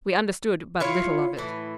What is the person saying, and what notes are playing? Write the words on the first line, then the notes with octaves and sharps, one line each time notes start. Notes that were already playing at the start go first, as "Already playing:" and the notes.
We understood but little of it.
E4 F4 C#5
A2 E3